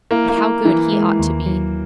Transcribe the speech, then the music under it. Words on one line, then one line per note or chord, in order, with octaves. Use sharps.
But how good he ought to be!'
A#3 E4
A#3
E4
E3 E4
G#3
D#2
F#3